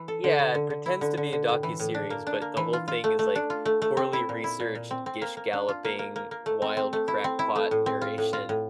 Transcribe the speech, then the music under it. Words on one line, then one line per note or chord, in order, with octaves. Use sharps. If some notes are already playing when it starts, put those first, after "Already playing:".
yeah, it pretends to be a docuseries, but the whole thing is, like, poorly researched, gish galloping, wild crackpot narration.
Already playing: E3
A4
D3
D3
D3
D3
E4
D3
D3
D3
A2
E3
A2
D4
A#3
D4
A#3
E3
F4
F4
A3
A3
D4
F4
A3
A3
C4
E4
A#2
E4
A#2
A#2
C4
C4
A#3
A#3
D4
F4
A#3
A#3
A#3
A#3
A3
C4
C4
A3
E4
C4
E4
A3
A2
C4
F4
A2
F4
A2